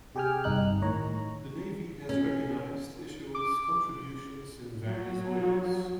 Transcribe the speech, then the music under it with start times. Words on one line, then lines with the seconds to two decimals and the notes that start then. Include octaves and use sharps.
The Navy has recognized Isherwood's contributions in various ways.
0.15 C3 G4 G#4 G5 G#5 F6
0.44 G1 C2 D#4 F#6
0.81 A2 D#3 C#5 A#5
2.09 C#4
3.35 D6
4.86 F#3